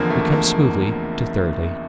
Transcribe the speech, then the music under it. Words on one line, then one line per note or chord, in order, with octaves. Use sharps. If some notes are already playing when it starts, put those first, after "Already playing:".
'We come smoothly to thirdly.
Already playing: F1 E2 D3 F3 A#3
A3
A#3